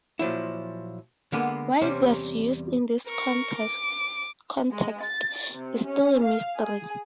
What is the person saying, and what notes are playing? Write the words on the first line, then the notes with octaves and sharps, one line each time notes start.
Why it was used in this context is still a mystery.
A#2 F3 F#3 E4
D3 G#3 A#3 B3 A4 B4
E2 C3 G3 C#4 C5
A#4 C#6
D6
G#3
A6
C3
C#4
F5
G#4